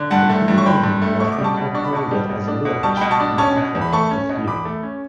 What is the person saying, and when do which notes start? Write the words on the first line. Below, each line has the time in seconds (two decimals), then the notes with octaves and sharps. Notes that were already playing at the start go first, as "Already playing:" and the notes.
The community was incorporated as a village in April of that year.
Already playing: D3
0.11 G2 F#5 A5
0.29 A3
0.48 G2
0.58 C#6
0.66 D3 G5 B5
0.84 G2
1.02 A3
1.20 B2 C#6
1.32 D6
1.38 G3
1.44 A5 C#6
1.57 B2
1.74 D4 C#6
1.85 B5
1.93 B2 A5 C#6
2.11 G3
2.29 B2
2.48 D4
2.65 B2
2.83 G3 A5 C#6
2.97 G5 B5
3.01 B2
3.11 A5 C#6
3.20 D4
3.38 C#4 A5 C#6
3.56 B2
3.75 E2
3.81 B5
3.92 A3 A5 C#6
4.11 C#4
4.29 B2
4.47 E2 B5 D6
4.65 A3
4.83 C#4